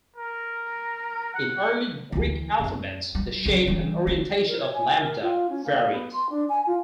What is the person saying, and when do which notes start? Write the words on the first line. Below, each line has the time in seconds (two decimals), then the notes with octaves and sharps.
In early Greek alphabets, the shape and orientation of lambda varied.
0.16 A#4
1.34 F#5
2.12 D2 E3
2.60 F#2
3.15 G3
3.46 C#2 F#3
3.67 E3 G3
4.07 A#3
4.48 A#4
4.60 C#5
4.74 G#5
4.99 A#4
5.21 F4
5.49 C#4
5.64 A#3
5.92 B3
6.13 C6
6.29 D4
6.49 G#5
6.66 F4